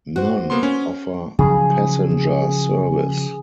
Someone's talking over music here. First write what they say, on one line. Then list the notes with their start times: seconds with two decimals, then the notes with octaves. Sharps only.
None offer passenger service.
0.16 F#4 C5
0.50 A#3 B3 C6
0.63 C#4
1.39 C#3 F3 F#3 G#4